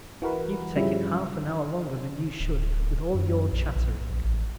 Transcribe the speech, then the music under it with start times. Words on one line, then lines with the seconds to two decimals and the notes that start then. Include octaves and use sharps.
You've taken half an hour longer than you should with all your chattering.
0.22 E3 F#4 A#4 B4
0.76 G2 C#3 F3 G3 E4
2.39 D1
3.14 F#2
3.52 A#1
3.76 A#1
4.10 A#1
4.24 A1